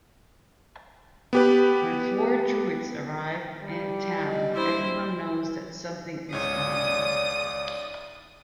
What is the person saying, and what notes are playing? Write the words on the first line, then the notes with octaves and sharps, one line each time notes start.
When four Druids arrive in town everyone knows that something is going on.
B3 G4 B4
G3
D#5
A#1 E4 C5
C#2 G#2 C#5 D5 D#6